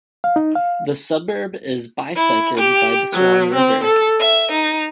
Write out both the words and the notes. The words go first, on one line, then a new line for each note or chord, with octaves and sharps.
The suburb is bisected by the Swan River.
F5
D#4
F5
E4
G4
F#3
C4
A4
E5
D#4